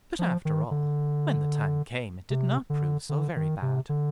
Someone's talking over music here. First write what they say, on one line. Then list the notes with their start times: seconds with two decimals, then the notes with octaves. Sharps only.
But after all, when the time came it did not prove so very bad.
0.19 F3
0.45 D#3
0.71 D3
2.30 C3
2.70 D3
3.09 D3
3.36 D#3
3.62 C3
3.89 D3